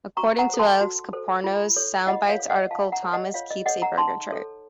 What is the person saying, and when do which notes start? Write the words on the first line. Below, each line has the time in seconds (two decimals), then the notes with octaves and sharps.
According to Alex Kapranos' "Soundbites" articles, Thomson keeps a burger chart.
0.17 F#4 A#5 C#6
0.39 F#5 A#5
0.49 A4 C5
0.59 A5 C6
0.81 F#4
1.13 A4 C5
1.44 F4
1.76 A4 C#5
2.07 F4 D#5 F#5
2.29 C#5 F5
2.39 A4 C#5
2.50 D#5 F#5
2.71 F4 F5 A5
2.92 F#5 A#5
3.03 A4 C#5
3.13 D#5 F#5
3.34 F4 C#5 F5
3.51 D#5
3.66 A4 C#5 D#5 F#5
3.82 F#5 A#5
3.98 D#4 A5 C6
4.30 A4 C#5